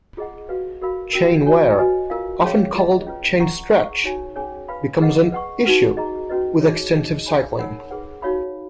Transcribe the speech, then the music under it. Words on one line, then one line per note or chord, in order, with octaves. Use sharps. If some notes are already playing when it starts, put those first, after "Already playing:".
Chain wear, often called "chain stretch", becomes an issue with extensive cycling.
F4 G#4 D#5 F#5
F#4 B4 F5
F#4 A#4 F5 B5
C#4 F#4 A#4
F#4 C#5 G#5
F#4 B4 D#5 G#5
F4 A#4 F5
C#4 G#4 C#5 F5
F4 G#4 D#5
C#4 F4 B4
B4 F#5 A#5 C#6
G#4 B4 F#5 A#5 C#6
D#4 F#4 C#5 G#5
C#4 G#4 C#5 G#5
B4 F5 B5
G#4 B4 D#5 F#5
B4 F#5 C#6
D#4 F#4 B4 F#5
G#4 D#5 A#5
C#4 F#4 B4 D#5
D#4 G#4 C#5
D#4 G#4 D#5
G#4 C#5 G#5 B5
D#4 A#4 C#5 F#5 B5
G#4 B4 F#5
D#4 F#4 C#5 F5 B5